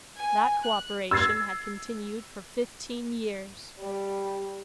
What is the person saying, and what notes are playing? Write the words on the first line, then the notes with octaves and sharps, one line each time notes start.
That co-operation had continued for fifteen years.
G#5
F#6
E6 G#6 A6 C7
G3